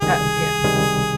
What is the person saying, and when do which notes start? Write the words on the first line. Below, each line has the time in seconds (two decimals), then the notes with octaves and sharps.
but, you know.
0.01 C#2 C3 D#3 G3 G#4
0.64 C#2 C3 D#3 G3